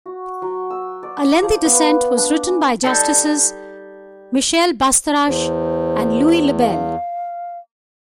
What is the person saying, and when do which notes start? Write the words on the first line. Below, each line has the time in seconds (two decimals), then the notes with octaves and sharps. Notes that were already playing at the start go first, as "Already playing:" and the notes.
A lengthy dissent was written by Justices Michel Bastarache and Louis LeBel.
0.06 F#4
0.42 F#3
0.70 E6
1.03 D5
1.42 F3
1.64 B3
2.17 D4
2.47 G#5
2.83 G3 D#4 A4 A5
5.25 E2 C5
6.60 F5